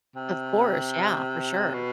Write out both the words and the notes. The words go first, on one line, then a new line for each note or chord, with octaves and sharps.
of course, yeah, for sure.
C3
B2